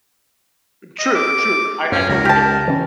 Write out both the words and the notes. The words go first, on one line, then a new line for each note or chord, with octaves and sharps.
True. True. I I totally get that.
D#5
D6
F#2 C#4
C#2 A#4
G4 A5
E3 C#4